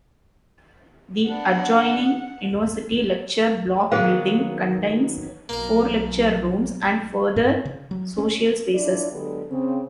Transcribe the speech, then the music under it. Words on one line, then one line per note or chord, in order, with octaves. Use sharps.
The adjoining University Lecture Block building contains four Lecture rooms and further social spaces.
B3 D4 F#5
D#3 F#3 B3 G#4 A#4 C5 F5
B1 A#3 A#4
G2
C4
C#3
F#3
C#4
D4 E4 F4 D5
D3 F#3 G#3 B3 G4 B4
C#3 C4